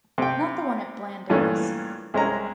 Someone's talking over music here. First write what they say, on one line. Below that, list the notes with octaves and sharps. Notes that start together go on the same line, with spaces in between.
Not the one at Blandings?
C3 G5
G2 A#2 E3 A3 C#4
C2 G#3 C#4 A#5